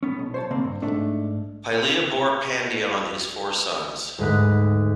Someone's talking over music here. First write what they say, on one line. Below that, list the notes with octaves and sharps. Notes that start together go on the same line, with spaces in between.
Pylia bore Pandion his four sons.
B3 C#4
B1
C5 C#5 A5
C#3 A#3 C4
G2
G#2 A3 D4
D2 G#2 G#3 B4 D#5 F#6